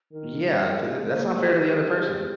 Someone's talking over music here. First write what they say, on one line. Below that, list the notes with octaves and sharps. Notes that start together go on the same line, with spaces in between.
Yeah, 'cau uh that's unfair to the other person.
D#3 A#4
G3
G#3
A#3 C5
G#4
G#3 G4
G4